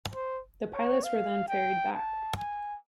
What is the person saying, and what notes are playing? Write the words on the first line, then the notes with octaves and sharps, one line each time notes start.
The pilots were then ferried back.
C5
C#5
F5
G5
A5
G#5